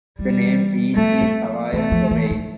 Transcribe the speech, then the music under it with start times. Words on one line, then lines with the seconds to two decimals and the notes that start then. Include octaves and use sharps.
The name Wene is Hawaiian for "Wayne".
0.19 E3 G3
0.96 F3 A3
1.21 F3
1.73 E3 A3
1.91 F3
2.11 E3
2.30 D3